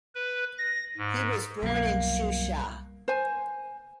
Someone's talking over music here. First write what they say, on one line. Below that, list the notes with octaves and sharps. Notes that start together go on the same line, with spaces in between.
He was born in Shusha.
B4
A#6
G#2
C2 F#2 B2 G3 A#3
C5 G#5